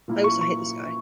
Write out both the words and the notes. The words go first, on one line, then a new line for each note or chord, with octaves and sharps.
I also hate this guy.
A#2 A#3 E4
C#6
C#6